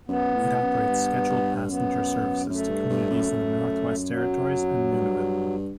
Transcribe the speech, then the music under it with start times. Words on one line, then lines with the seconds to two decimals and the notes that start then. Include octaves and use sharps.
It operates scheduled passenger services to communities in the Northwest Territories and Nunavut.
0.08 F#2 B3
0.35 A2
0.62 F#2
0.89 G2
1.29 G2
1.70 F#2 B3
2.50 F#2 A3
2.69 G2
2.90 G2
3.10 F#2
3.30 F#2
4.11 F#3
4.91 G2